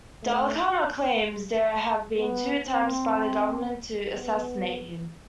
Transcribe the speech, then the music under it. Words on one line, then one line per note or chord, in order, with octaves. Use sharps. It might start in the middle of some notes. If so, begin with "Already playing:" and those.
Dhlakama claims there have been two attempts by the government to assassinate him.
A3
B3
C4
B3